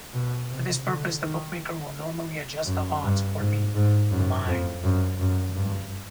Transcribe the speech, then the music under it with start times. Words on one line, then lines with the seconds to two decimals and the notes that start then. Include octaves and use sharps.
For this purpose, the bookmaker will normally adjust the odds or the "line".
0.14 B2
0.50 C3
0.86 D3
1.22 D#3
2.66 F#2
3.03 G2
3.39 G#2
3.75 G#2
4.11 F#2
4.48 F2
4.84 F#2
5.20 F#2
5.56 G2